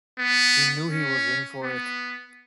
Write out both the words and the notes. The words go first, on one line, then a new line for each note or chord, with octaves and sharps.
He knew he was in for it.
B3
C#4
B3